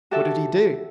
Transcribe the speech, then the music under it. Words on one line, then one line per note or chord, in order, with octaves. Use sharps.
What did he do?
F#4 G4 A4 E5 A5